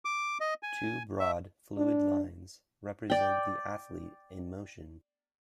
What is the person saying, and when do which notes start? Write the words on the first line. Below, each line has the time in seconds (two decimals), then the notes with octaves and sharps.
Two broad fluid lines represent the athlete in motion.
0.05 D6
0.40 D#5
0.63 G#5
1.20 E5
1.77 D4
3.10 D5 G5